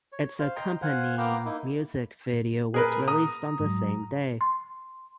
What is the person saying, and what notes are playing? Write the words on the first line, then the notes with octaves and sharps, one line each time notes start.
Its accompanying music video was released on the same day.
C#5
C5 F5
D#5 G5 A#5 C6
C5 F5 F#5 G#5
A#3 B3 F5 G5 A#5 D6
A#3 D#4 E4
A#2
G#4 A#4 B4
A#5 D#6
G#2 F#3
C6